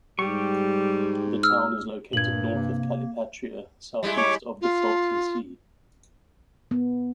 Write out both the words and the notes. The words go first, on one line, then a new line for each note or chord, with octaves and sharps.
The town is located north of Calipatria, southeast of the Salton Sea.
G#2 G3 G4 C#6
E6 F6
G2 A#2 G#6 F#7
C3 A#3
G3 G#3 E4
C#5 D6
F4
B3